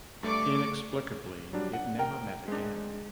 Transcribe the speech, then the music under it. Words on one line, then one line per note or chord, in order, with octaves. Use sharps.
Inexplicably, it never met again.
G2 A3 D5 C#6 D6
F#3 G3 D4
F#5
A#4 G5
G#3 D4 C5